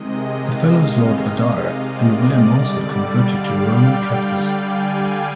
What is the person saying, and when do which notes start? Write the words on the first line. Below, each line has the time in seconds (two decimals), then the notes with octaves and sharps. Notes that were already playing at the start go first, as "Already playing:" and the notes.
The Fellows Lord Adare and William Monsell converted to Roman Catholicism.
Already playing: C3 D#3 G#3 D#5
0.28 F5
1.68 D5
2.37 D3 G3 D5
3.06 F5
3.41 G5
4.46 G#5
4.80 G5